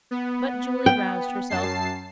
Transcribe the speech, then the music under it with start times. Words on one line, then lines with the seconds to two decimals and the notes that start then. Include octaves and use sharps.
But Julie roused herself.
0.11 B3
0.86 G5
1.49 F#2 A5 C7